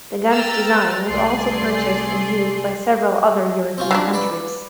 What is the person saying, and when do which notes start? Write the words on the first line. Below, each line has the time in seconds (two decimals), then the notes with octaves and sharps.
The gun's design was also purchased and used by several other European countries.
0.29 B4 G5 A#5 E6 F6 A6
1.08 C2 A3 G#4 D5 C6 C7
3.78 C4 C#4 F4
3.91 F#3 G3 D4
4.13 B4 D5